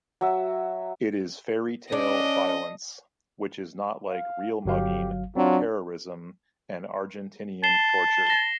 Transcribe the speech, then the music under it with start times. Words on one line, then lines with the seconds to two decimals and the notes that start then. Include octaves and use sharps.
It is fairy-tale violence, which is not like real mugging, terrorism and Argentinean torture.
0.21 F#3 E5
1.92 C#4 D4 D#5
4.09 F5
4.65 G1 F#3 G4 F5
5.36 F#3 C4 D4 F4
7.64 A5 C7 E7 G7
8.27 A#6 G7